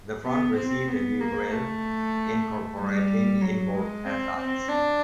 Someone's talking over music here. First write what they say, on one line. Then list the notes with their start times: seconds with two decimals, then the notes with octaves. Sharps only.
The front received a new grille incorporating inboard headlights.
0.24 B3
0.56 C4
0.88 B3
1.20 A#3
1.51 A3
2.79 G3
3.42 F#3
3.74 G#3
4.06 C4
4.38 C4
4.69 D4